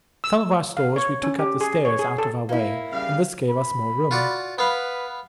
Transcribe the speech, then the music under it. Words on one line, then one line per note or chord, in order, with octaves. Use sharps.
Some of our stores we took up the stairs out of our way, and this gave us more room.
E6
F5
C#5
C#4
G4
G#4
C#5
G#4
A4
A#3 E4
C#3 G3 F5
B5
F4 F#4 D5
B3 B4 F5